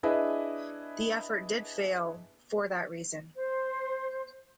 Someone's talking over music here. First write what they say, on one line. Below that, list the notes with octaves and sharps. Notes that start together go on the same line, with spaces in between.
The effort did fail, for that reason.
D4 E4 G#4 B4 D#5 E5
C5